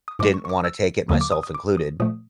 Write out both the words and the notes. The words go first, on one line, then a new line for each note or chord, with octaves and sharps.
didn't wanna take it, myself included,
D#6
G#2 F3 G#3 D6
C#6
C#6
D6
E6
D#2 D3 F#3 A#3 D#6
D6
D#6
D#6
D6
D#6
A#2 F3 A3 D#6